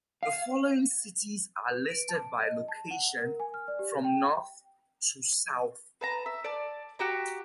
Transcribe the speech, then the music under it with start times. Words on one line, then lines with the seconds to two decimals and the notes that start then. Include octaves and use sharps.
The following cities are listed by location from north to south.
0.23 F5
1.69 B4
1.90 D7
2.09 A5
2.43 D#5
2.68 A5
2.91 F#5
3.17 A#4
3.40 G#5
3.54 F6
3.68 D5
3.79 G4
4.04 G5
6.01 B4 A5 A#5
6.26 E5
6.44 D5 A5
6.99 F#4 G4 A#5